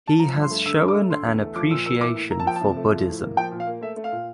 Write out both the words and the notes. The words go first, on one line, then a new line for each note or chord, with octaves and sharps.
He has shown an appreciation for Buddhism.
A5
F3 A#5
G2
C6
A3
D3 E6
G2
D6
A3
D3 C6
E2
A3
F3 D6
A#2 E6
A#3 E6
E3 D6
A2
A#3 A#5
A5
F3 G5
A5
C3
A3
F3
A2
A#3
F3 G5
A#2
F5
A#3
A3 E5
A3
F5
A#2